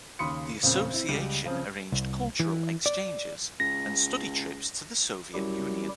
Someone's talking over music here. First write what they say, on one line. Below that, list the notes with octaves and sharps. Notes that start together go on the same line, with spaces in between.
The association arranged cultural exchanges and study trips to the Soviet Union.
D#2 C#3 B5 C6 D#6 C#7
E2 A#2 C#3 C4
C4 E4
C#2 G3 D7 D#7 F#7
C#3 F3 C4 F4
C2
E3
D5
C#2 A#6
F#2 G3 E4 G4